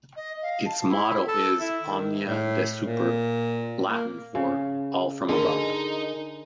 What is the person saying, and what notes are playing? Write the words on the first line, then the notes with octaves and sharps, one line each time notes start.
Its motto is "Omnia Desuper", Latin for "All From Above".
D#5
F5
A5
E4
A4
E4
D#3
A2
A#2
A#3
C#3
D3 D#4 G#4 A#4